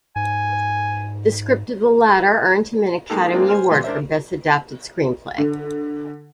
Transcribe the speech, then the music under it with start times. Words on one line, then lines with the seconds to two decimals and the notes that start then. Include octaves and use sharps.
The script of the latter earned him an Academy Award for Best Adapted Screenplay.
0.16 G#2 G#5
3.10 F#3 G#3 A#3 D#4 G4 A4
3.32 G#3 A#3 C4 D4 F4
3.49 C5 G#5 C6 F6
3.71 A#2 E3 G3 F5 C6
3.84 D4 A#4 C5 E5
5.38 D3